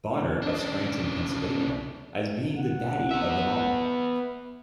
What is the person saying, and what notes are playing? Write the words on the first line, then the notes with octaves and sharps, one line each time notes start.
Bonnert of Scranton, Pennsylvania as being the daddy of them all.
C#3 D4
F#5
B3 E5